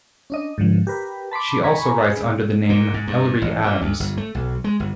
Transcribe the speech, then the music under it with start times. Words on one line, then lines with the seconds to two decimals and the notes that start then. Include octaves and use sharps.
She also writes under the name Ellery Adams.
0.30 C#4 D4 D#5
0.58 G#2 D3 F3
0.87 G4 A#4 B4
1.31 A5 B5 C6 D6
1.64 G#5 A#5 B5 C#6
2.12 G#4 B4
2.70 A#2
2.94 G#2
3.08 G2
3.42 A1
3.64 A#2
3.82 D2
4.00 G1
4.17 A3
4.35 B1
4.64 G#3
4.80 G1